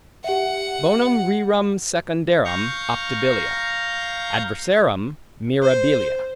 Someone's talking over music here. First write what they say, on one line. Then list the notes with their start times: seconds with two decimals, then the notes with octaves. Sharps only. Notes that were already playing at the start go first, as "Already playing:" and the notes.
Bona rerum secundarum optabilia; adversarum mirabilia.
0.24 G4 E5 F#5
2.45 F5 A#5 C#6 G6
5.61 C5